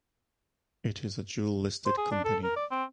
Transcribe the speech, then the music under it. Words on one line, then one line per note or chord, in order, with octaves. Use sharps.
It is a dual-listed company.
C5
G#4
D4
A4
A#4
D5
C4